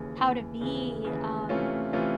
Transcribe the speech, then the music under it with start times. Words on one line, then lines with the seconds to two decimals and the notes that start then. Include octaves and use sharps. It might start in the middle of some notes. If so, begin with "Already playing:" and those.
how to be, um,
Already playing: D#2 C#3 E3
0.17 D#2 C#3 E3
0.60 D#2 C#3 E3
1.04 D#2 C#3 E3
1.49 C3 E3 A3 C#4 F4
1.93 C3 E3 A3 C#4 F4